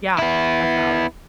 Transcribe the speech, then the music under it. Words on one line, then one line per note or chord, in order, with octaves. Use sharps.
Yeah, that's valid.
B3 E4